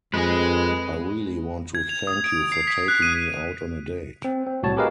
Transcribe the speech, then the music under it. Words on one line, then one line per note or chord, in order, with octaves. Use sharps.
I really want to thank you for taking me out on a date.
F2 G#3 G#4 B4 D#5
G#6
F7
D#6
D7
C7
B6
F#6
D#7
C4
C4
C2 A2 F#4 C#5 A5
G4 G#4 A#4 B4 D#5 F5